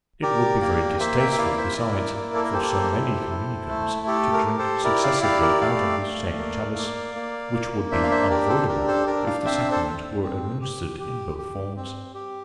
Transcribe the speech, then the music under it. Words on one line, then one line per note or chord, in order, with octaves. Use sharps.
It would be very distasteful, besides, for so many communicants to drink successively out of the same chalice, which would be unavoidable if the Sacrament were administered in both forms.
G4 A#4 D5
A#3 A#4 D5
A#3 C5 E5
E5 G5
E5
E4 D5 F5
C5 E5
E4 A#4 D5
A#3
A4
A#4
G4 A4 C5
E4
E4
A3
G4 A4
A#4
G4
A4 C5
E4 A#4 D5
D5 F5
G4 D5 F5
A#4 D5
A3 D5 F5
A3
A#3
A#3
A#3
A#3
D4 C5 E5
F5
C5 E5
G4 A#4 D5
A4 C5
D4 A#4
A4 C5
D4 A#4 D5
D5 F5
C4 C5 E5
A4 C5
C4
C4
G4
G4
G4
C4
G4